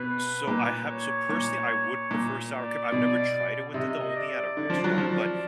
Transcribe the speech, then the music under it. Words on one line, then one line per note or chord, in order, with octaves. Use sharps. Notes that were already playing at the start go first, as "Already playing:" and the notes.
So I have so personally, I would prefer sour cream. I've never tried it with it the only at a restaurant, but
Already playing: B2 B4
A#2
C#5
A#2
A#2
D5
B2
C3 D#5
D5
D3
F3
F#3
F3 D5